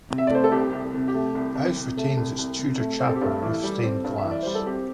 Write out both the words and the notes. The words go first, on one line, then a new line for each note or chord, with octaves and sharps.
The house retains its Tudor chapel, with stained glass.
C3
E5
D5
A3 C5
A4
C2 G4
C2
C3
G4
A3
C2
C2
C3
A3
C2
C2
C3
A3
C4 C5
A4
G4
G2 A3 A4
E3
G3
C4
G2
E5
E3
D5
G3 C5
A4
C4 G4